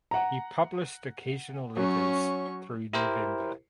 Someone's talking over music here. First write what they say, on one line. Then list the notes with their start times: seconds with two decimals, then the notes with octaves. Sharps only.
He published occasional letters through November.
0.11 F#5 A#5
1.77 F#3 C#4 C#6
2.93 E4 G4 A#4 C5